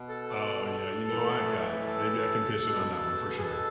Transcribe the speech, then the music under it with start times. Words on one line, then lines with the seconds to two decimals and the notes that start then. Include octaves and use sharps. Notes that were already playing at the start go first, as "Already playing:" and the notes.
Oh, yeah, you know what? Yeah. Maybe I can pitch in on that one for sure.
Already playing: B2
0.09 A4
1.07 A2 E3
1.86 A4
2.65 B2
3.38 G#4
3.44 A4